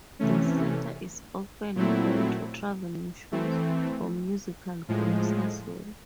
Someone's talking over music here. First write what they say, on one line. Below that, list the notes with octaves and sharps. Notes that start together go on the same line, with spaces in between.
The Center is often home to traveling shows, or musical groups as well.
C3 E3 A3 C#4
A#2 F#3 A3 C4 E4
E3 A3 C4
A2 F3 G#3